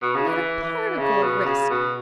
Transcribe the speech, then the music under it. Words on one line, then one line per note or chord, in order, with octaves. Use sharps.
Not a particle of risk.
B2
C#3
E3
E3
C#3
B2
C#3
B2